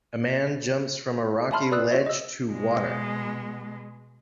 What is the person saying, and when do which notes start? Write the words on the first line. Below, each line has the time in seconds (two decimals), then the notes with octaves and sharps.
A man jumps from a rocky ledge to water.
1.52 E5 G#5 A5 B5 C6 F6
1.72 B4 D5 D#6 E6 F#6
1.91 F#4 C5 C#5 E5
2.06 D#5 E6
2.51 B2 G#3